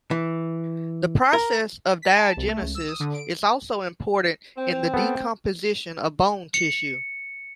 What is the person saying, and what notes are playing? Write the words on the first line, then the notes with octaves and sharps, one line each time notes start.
The process of diagenesis is also important in the decomposition of bone tissue.
E3
A#4
B6
A5
C2
A3
C#2
E6
D#6
D3
D7
C4
B3 A4
C#7